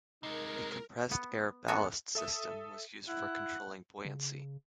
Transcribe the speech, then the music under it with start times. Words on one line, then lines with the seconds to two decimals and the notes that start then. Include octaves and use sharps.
A compressed air ballast system was used for controlling buoyancy.
0.23 C3 G#3 D#4 A#4
1.11 B3
1.68 G#3 A3 B3 D4 F#4 G#5
2.15 A4 E5 D#6
3.08 E4 F#5
4.05 C#3